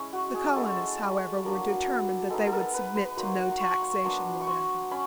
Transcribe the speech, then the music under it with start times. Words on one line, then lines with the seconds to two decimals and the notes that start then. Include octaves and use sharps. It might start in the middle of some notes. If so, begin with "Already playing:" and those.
The colonists, however, were determined that they would submit to no taxation whatever.
Already playing: G#3 C#4 E4
0.13 F#4
0.34 G#4
0.56 G#3 C#4 E4 A4
1.43 F#3 A#3 D4
2.30 G#3 B3 D#4 A4
2.46 A4
2.52 A#4
2.74 B4
2.96 B4
3.17 F#3 A#3 D#4 C5
3.39 F#5
3.52 C#6
3.61 C6
3.82 C#6
4.04 F#3 B3 D4 C6
4.40 C#6
4.47 C6
4.91 C#4 B5